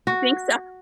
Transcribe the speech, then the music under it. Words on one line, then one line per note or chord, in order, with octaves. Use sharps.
You think so?
F#4